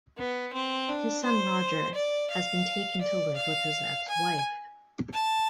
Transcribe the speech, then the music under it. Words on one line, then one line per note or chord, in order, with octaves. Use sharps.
His son Roger has been taken to live with his ex-wife.
B3
C4
D4
C5
D5
F5
D5
F5
G#5
A5